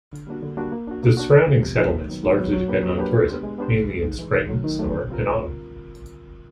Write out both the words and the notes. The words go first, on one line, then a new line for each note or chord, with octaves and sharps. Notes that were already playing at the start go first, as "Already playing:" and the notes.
The surrounding settlements largely depend on tourism, mainly in spring, summer and autumn.
D3
G3 A#3 D4 F#4
D3
G3 A#3 D4 F#4
A#3
D4 F#4
A#3
D4 F#4
C3
F3 G#3 B3
C3
F3 G#3 B3
G#2
D#3 F#3 B3
G#2
D#3 F#3 B3
F#3
A#3 D4 G4 B4
F#3
A#3 D4 G4 B4
G#3
B3 D4 G4 C5
G#3
B3 D4 G4 C5
G#2
E3 G#3
G#2
E3 G#3
D#3
F#3 A3
D#3
F#3 A3
D3
G3 C4 F4 A#4